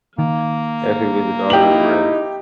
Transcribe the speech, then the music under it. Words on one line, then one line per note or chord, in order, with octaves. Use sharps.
Effie was the daughter of the Rev.
D#3 A#3
D#4 E4 G4 F#7